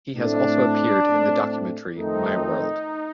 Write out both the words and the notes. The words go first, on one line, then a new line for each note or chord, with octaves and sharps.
He has also appeared in the documentary "My World".
A2 A3 C4 D4
A2 A3 C4
F2 D#3 A3 C4 D#4